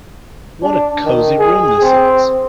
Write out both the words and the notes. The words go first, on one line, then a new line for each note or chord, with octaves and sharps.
What a cosy room this is!
D4
D#3
G#4
C4